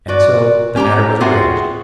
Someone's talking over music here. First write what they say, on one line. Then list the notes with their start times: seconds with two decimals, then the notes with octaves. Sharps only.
And so the matter was arranged.
0.08 F#4 B4 D5
0.76 C#4 G4 A5 A#5
1.20 C4 F4 F#4 G#4 E5